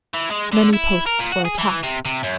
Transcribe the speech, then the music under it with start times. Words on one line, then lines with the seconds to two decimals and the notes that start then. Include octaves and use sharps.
Many posts were attacked.
0.14 E3
0.30 G#3
0.52 D3
0.73 E4
1.06 A#4
1.19 A#2
1.32 F#4
1.45 G#4
1.58 E3
1.83 C3
2.05 C3
2.23 F#2